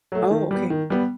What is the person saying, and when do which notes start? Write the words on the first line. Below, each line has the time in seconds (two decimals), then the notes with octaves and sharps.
Oh, okay.
0.12 F#3 A3
0.31 D#3
0.51 G3 B3
0.70 D#3
0.90 G3 B3